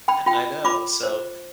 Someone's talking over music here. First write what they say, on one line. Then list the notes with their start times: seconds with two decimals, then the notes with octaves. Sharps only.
I know. So,
0.08 G5 B5
0.26 F4 G5 B5
0.64 F4 B5 D6
1.03 C5